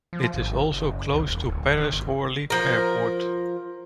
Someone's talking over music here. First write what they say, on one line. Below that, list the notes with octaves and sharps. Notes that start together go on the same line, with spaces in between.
It is also close to Paris-Orly Airport.
F3
G#1
F#1
C2
E1
D1
D#3
G1
F3 A#4